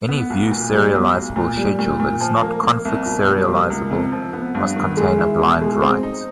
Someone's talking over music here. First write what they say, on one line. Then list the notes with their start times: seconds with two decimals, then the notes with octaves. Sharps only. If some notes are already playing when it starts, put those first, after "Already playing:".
Any view serializable schedule that is not conflict serializable must contain a blind write.
0.09 B3
0.30 B1
0.51 A#2
0.72 G3
0.93 B1
1.15 B1
1.36 A#2
1.57 G3
1.79 A#2
2.00 A#2
2.21 F3
2.42 A#3
2.63 A#3
2.85 C2
3.06 B2
3.27 G3
3.49 A#3
3.70 C#2
3.91 C3
4.12 F3
4.33 B3
4.55 G2
4.76 D#3
4.97 G#3
5.18 E4
5.40 B2
5.61 G#3
5.82 C4
6.03 D#4